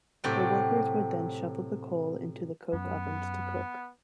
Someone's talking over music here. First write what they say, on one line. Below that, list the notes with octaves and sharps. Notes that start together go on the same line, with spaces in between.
The workers would then shovel the coal into the coke ovens to cook.
A2 C3 F#3 G4 G5
F#2 B3